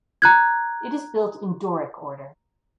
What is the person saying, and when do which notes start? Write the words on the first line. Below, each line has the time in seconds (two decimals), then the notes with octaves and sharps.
It is built in Doric order.
0.22 A#5 F#6 G#6